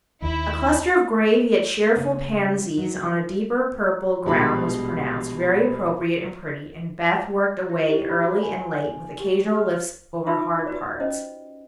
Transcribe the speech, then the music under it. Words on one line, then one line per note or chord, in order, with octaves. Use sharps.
A cluster of grave yet cheerful pansies on a deeper purple ground was pronounced very appropriate and pretty, and Beth worked away early and late, with occasional lifts over hard parts.
D#2 E4
C#3
F#3
A#1 B2 G3 G#3 B5
E4
G4
B5
F#4
G#5
G4
F6
D#4 F4 B4 E5 B5 C6
F#4 B4 D5
C#4 C5 D#5